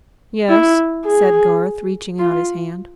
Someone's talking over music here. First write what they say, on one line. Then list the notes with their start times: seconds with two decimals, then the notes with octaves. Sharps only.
"Yes," said Garth, reaching out his hand.
0.50 E4
1.06 G#4
2.19 F4